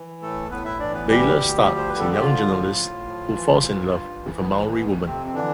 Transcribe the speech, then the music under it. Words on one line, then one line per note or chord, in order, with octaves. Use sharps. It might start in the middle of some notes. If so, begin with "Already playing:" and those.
Bayler starred as a young journalist who falls in love with a Maori woman.
Already playing: E3
A2 A3 A4
A2 B3 B4
E4 E5
E3 D4 D5
B3 B4
D2 G3 G4
D2
F3
C5
D3 B4
A4
G4
F3 F4
A2
A2
F3
E3
G2
G2
E3
B3
E3 A3
A3
F2 B3
A3
F2 C3 C4
C4
D3 E3 D4